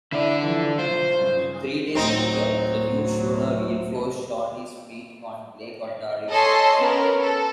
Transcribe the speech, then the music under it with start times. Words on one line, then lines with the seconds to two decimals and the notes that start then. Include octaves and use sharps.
Three days later, the new schooner reinforced Chauncey's fleet on Lake Ontario.
0.12 D3 E4 D5
0.43 E3 F3
0.79 B1 F4 C5
1.21 G2 C#3
1.95 D2 A2 F#3 C4 D#4
6.30 A4 C#5 D#5 G#5 A5 C6
6.78 B3 C#4 A#4
7.21 A4